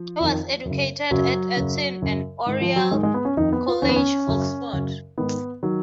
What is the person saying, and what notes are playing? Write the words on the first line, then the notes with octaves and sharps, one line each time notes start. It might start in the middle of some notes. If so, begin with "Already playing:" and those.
He was educated at Eton and Oriel College, Oxford.
Already playing: F3
F2 D#3
F#2
C#3
F#2 C#3 F#3
F#2 C#3
F#2 C#3
G#2 D#3
F3
F#3
G#2 D#3 G#3
G#3
B3
C#4
F2 D#3 D#4
B3
F4
F2 D#3 C#4
B3
C#4
F#2 C#3
F#2 C#3
G#2 D#3 B3
D#3 F#3